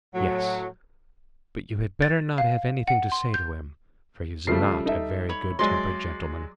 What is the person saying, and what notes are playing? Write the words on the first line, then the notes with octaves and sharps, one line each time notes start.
"Yes; but you had better not have anything to say to him, for he is not a very good-tempered gentleman."
A2 F#3
A6
F5
F#5
C6
G6
C#3 F3 G3 A3 C7
D#4 A4 E5
C#5 B5
F#3 G#3 D5 C6